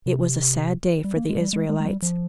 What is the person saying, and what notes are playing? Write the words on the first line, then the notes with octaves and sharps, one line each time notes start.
It was a sad day for the Israelites.
C3
G3
A#3
G#3
G3
G#3
G#3
G#3
G3
F3